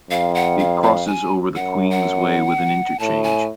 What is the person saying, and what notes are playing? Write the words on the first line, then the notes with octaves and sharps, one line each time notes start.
It crosses over the Queensway with an interchange.
F2 F5
F#5
F5
F5
G#5
F#2 F#5
F#5
A2 A5
G#5